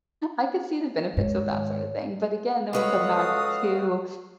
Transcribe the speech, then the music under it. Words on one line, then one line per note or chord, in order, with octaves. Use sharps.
I could see the benefits of that sorta thing, but again, then we come back to,
G#2 D#3 C#5
C#2 G#3 F#4 A4 B4 C#5 F5 D#6